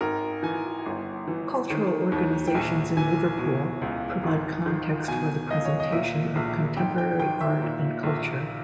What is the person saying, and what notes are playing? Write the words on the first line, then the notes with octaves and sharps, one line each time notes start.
Cultural organisations in Liverpool provide context for the presentation of contemporary art and culture.
G#1 A#4
E3 G#5
G1
E3
D#3
D#2
G5
A#1 G#5
E3 G#5
B2
C#2
G#1
D#3
B2 G#5
C#2 D#5
C#5
D#5
A#2 E5
A#1
G#1 G5
G5
D#3 G5
E5
A#2
A#1